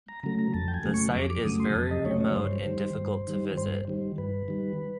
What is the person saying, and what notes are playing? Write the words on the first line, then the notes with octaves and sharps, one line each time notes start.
The site is very remote and difficult to visit.
A#5
C#3 F#3 A3 A#5
A#5
F2 A5
G5
G#5
C#3 F#3 A3
C#6
F2 D6
D6
C#3 F#3 A3 D#6
C6
F2 A5
D#5
C#3 F#3 A3 C#5
C#5
G2 C5
D#3 G3
G2
D#3 G3
G2 C5
D#3 G3
G2 B4
D#3 G3